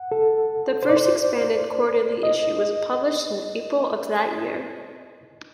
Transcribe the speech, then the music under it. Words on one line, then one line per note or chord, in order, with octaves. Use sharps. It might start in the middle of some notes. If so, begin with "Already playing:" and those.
The first expanded quarterly issue was published in April of that year.
Already playing: F#5
A4
C5
D5
C5
D#5